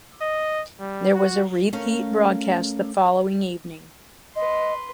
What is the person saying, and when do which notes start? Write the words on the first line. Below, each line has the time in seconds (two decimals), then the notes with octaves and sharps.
There was a repeat broadcast the following evening.
0.21 D#5
0.80 G3
1.15 F#4
1.73 A3 C#4 A#4 F5
4.36 B4 D#5 C6